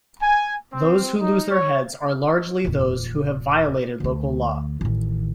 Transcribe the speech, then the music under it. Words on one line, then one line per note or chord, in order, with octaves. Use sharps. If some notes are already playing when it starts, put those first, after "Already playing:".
Those who lose their heads are largely those who have violated local law.
G#5
C4
D#4
C#5
D#1 F2
D2 A3
A1 D#3